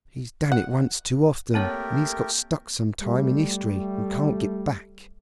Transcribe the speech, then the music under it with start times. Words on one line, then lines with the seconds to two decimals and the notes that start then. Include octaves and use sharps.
"He's done it once too often, and he's got stuck some time in history and can't get back."
0.52 F#5
1.54 A3 A#3 C4 G4 A#4 C#5
3.01 G3 A3